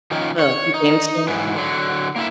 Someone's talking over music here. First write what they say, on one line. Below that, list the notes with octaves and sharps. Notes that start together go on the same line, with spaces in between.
Oh, you gained strength?
D#3 F3 C#4 D#4 F4
C#5
D#4
G#2 E3 F#3
D3 F#3
A#3 E4 E5